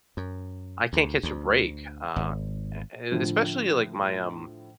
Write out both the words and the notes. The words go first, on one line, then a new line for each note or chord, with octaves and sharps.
I can't catch a break, uh, a and especially like my, um,
F#2
D2
D2
G#1
A2 D3 F3